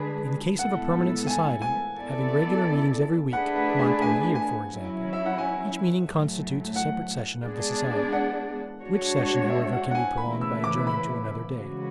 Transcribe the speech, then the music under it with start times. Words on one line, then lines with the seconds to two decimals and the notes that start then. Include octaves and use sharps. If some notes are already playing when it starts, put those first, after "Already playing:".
In the case of a permanent society, having regular meetings every week, month, or year, for example, each meeting constitutes a separate session of the society, which session however can be prolonged by adjourning to another day.
Already playing: D3 G#3 D4 G#4 B4 A5
0.59 A2 G#3 B3 E4 A4 F#5
1.27 G#5
1.62 G#5
1.96 B3 E4 A4 D5
3.33 A3 D4 G#4 B4 F#5
3.56 F#5
3.79 G#5
4.02 G#5
4.35 G#5
4.70 F#3 C#4 E4
5.13 E5
5.26 F#5
5.38 G#5
6.07 A2 F#3 A3
6.76 F#5
7.44 G#3 B3 D4 G#4 D5
8.13 F#5
8.81 G#3 D4 F#4 C#5
9.50 E5
9.73 F#5
9.91 F#5
9.95 G#5
10.18 C#3 E3 A3 E4 B4 B5
10.41 E6
10.64 D6
10.87 B5
11.55 C#3 E3 G#3 C#4 F#4